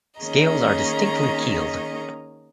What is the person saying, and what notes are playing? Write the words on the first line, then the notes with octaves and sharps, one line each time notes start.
Scales are distinctly keeled.
D#3 A#3 C#4 G#4 D#5 A#5